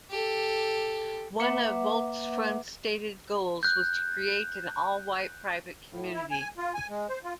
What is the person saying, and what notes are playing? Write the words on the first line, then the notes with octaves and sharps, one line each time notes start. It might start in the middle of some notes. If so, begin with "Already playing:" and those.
One of Volksfront's stated goals was to create an all-white private community.
G4 A4
A#3 B4 E5 F#5 D6
F#6 G6
A2
E4
G#5
F4
G#5
G#3
C5
F4